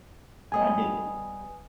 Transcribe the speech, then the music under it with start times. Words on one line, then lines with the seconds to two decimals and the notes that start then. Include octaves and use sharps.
I do.
0.52 G3 B3 D#5 G#5 D#6